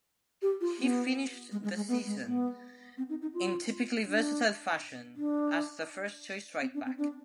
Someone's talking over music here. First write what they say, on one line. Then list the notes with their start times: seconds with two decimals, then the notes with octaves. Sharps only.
He finished the season, in typically versatile fashion, as the first choice right back.
0.42 G4
0.61 F4
0.79 B3
1.52 G#3
1.63 G#3
1.76 G#3
1.88 B3
2.06 G#3
2.25 B3
2.98 C4
3.09 D#4
3.22 D#4
3.34 F4
4.06 D4
5.16 D4
6.61 C4
6.74 D4
6.85 C4
6.98 D4